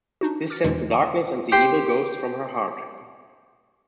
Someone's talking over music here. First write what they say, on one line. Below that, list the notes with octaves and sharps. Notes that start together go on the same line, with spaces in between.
This sends the darkness and the evil ghosts from her heart.
D4 D#4 F#4
D6 F6 A6 C#7
E2 B2 D3 E3 G#3 D4
F#5 A#5
G4 C5 G5 C6